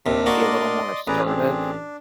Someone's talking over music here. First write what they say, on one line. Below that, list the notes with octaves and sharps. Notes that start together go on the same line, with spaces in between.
Be a little more assertive
D#2 C3 D4 A#4 A#5
A#3 F#4 D5 D#5 C6
A1 G#4 B4 D5 A#5 D#6
C4 D4 G#4